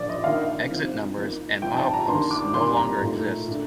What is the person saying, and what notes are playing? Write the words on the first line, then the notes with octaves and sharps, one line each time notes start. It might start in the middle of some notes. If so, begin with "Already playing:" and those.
Exit numbers and mileposts no longer exist.
Already playing: A#2 F3 A#3 D4 D5
D#5
D#3 A#3 D4 F5
C3 F3 C4 D#4
F3 A#3 D#4
F3 C4 D#4 G5
A5
A#5
D#3 A#3 D4 C6
D6
C3 G3 A#3 D#4 C6
A#5
A#2 A3 D#4
A#2 A3 D4